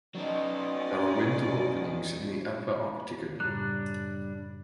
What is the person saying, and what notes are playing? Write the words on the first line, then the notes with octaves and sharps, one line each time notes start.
There are window openings in the upper octagon.
F#3 C#4 D#4 D5 D#5
F#2 A2 C#3 G3 D4 F#6